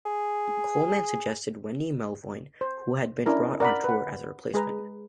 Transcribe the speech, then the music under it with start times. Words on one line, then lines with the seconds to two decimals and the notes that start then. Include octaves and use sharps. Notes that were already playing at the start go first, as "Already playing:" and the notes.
Coleman suggested Wendy Melvoin, who had been brought on tour, as a replacement.
0.06 G#4
2.61 C5
3.26 C#4 D4 E4 A#4 A5
3.60 A#4 D5 F#5 A#5 B5
3.84 B4 F#5
4.54 G#3 G#4 B4 A#5